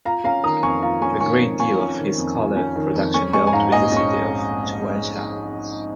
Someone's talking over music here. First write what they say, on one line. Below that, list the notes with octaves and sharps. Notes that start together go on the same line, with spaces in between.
A great deal of his scholar production dealt with the city of Cuenca.
F4 F5 A#5
C#4 F5 A#5
D#3 A#5 D#6
F2 G#5 C#6
F4 F5 A#5
C#4 G#5 C#6
D#3 G#5 C#6
F2
F4 G#5 C#6
C#4
D#3
F2
F4
C#4
D#3
F2
C#4 G#5 C#6
G#3 G#5 C#6
G#5
G#2 F5 A#5
A#1 D#5 G#5
C#4 C#6